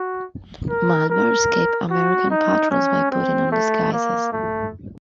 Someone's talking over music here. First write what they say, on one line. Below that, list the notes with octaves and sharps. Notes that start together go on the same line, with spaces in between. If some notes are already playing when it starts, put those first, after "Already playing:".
Malvar escaped American patrols by putting on disguises.
Already playing: F#4
A#4
A#4
F#4
D#4
C#4
C4
A3
A#3
A3